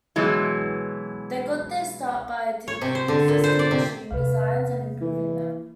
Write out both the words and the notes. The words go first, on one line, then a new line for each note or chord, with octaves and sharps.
They got their start by taking existing machine designs and improving them.
B2 E3 F#3 G#3
C#5
C3
C5
D3
A#2
C5
D5
C3
E2 C3 B4 F5
A#3
E3